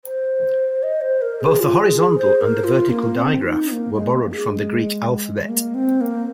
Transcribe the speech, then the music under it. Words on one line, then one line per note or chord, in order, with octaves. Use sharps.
Both the horizontal and the vertical digraph were borrowed from the Greek alphabet.
C5
D#5
C5
A#4
G#4
F4
G#4
G#4
C5
C5
A#4
F4
A#3
C4
F4
D#4
C4
A#3
G#3
A#3
G#4
G#3
G#3
A#3
C4
A#3